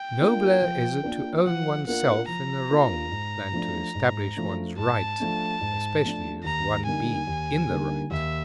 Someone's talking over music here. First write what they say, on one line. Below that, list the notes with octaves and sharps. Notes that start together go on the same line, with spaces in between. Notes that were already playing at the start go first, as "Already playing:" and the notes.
Nobler is it to own oneself in the wrong than to establish one's right, especially if one be in the right.
Already playing: G5
A#3 D4 F4 A#4
F3
A#3 D4 F4 A#4
F3 F#5
A#3 D4 F4 A#4 F#5
F3 A#5
A#3 D4 F4 A#4
G#2
F3 A3 D4
G#2
F3 A3 D4
G#2 A5
F3 A3 D4
G#2
F3 A3 D4
D#2 A#5
D3 G3 A#3 D#4 G#5
D#2
D3 G3 A#3 D#4
D#2 E5